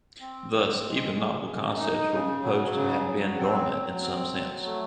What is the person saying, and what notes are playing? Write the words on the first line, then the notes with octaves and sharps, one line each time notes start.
Thus, even novel concepts were proposed to have been dormant in some sense.
C4
C4
G#3
G#3
F#2
D#4
C#3
F#3
C#3
F#3
C4
F#3
C4
F#3
A3